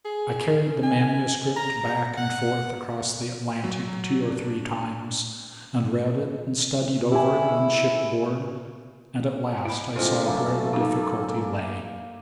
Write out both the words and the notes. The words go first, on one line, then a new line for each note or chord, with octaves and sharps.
I carried the manuscript back and forth across the Atlantic two or three times, and read it and studied over it on shipboard; and at last I saw where the difficulty lay.
G#4
G#5
A#5
F#5
F#3
D4
E4 G4 G#5
E4 B5
C3 G#3 D4 F4 G#4 A4 C5
F#2 A3 A#3
A#3 D#4